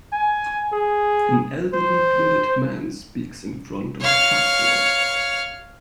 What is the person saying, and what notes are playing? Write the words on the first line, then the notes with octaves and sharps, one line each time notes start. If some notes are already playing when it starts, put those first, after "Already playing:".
An elderly bearded man speaks in front of a chalkboard.
G#5
G#4
C5
C#5 F5